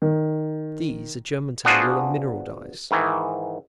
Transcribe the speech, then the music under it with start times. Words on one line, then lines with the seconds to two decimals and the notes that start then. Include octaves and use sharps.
These are Germantown wool and mineral dyes.'
0.02 D#3
1.65 B3 D4 F4 F#4 G#4 C5
2.91 G#2 D#3 E3